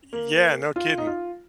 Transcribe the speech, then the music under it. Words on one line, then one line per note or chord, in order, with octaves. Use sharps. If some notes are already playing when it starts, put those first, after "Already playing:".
Yeah, no kidding.
A#3
F4
D#4
F4